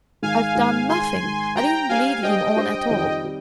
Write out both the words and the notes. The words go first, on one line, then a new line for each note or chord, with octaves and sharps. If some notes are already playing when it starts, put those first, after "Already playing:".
I have done nothing, I didn't lead him on at all.
G#2 D#3 G#3 F5 G#5
G#2 D#3 G#3
G#2 D#3 G#3 G#5 C6
G#2 D#3 G#3
G3 D4 G4 C5 G5 A#5
G3 D4 G4 C5 F5 G#5
G3 D4 G4 C5 D#5 G5
G3 D4 G4 C5
F2 D#3 G3 C4 D#4
D#3 G3 C4